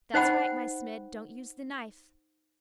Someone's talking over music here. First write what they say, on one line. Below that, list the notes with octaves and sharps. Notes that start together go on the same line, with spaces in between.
That's right, my Smid, don't use the knife!
D#4 C5 F#5 G5 B5